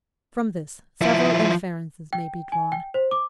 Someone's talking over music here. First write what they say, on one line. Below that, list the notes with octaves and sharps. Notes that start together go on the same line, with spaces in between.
From this several inferences may be drawn.
F3 E4
G5
G#5
G5
C5
D6